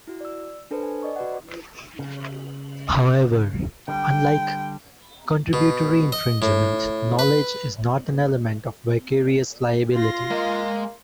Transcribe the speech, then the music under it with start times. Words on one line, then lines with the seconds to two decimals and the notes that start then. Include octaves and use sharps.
However, unlike contributory infringement, knowledge is not an element of vicarious liability.
0.08 E4 F#4
0.21 D5 E6
0.71 D4 A4 B4 C5
0.83 G#5
1.03 D5 D#5 C#6
1.16 F#4 B4 D5 F#5
1.99 C#3
3.88 D3 G3 G5
5.53 B2
6.12 D#5
6.42 A2
7.19 B4
9.95 F4 C6 A#6
10.31 G#3 A#3 D#5